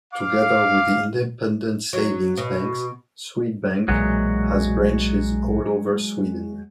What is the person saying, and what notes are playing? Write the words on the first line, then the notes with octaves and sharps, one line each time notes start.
Together with the independent savings banks, Swedbank has branches all over Sweden.
F5 D6
F#3
B2
B1 A#2 E3 F#3 G#3 F#4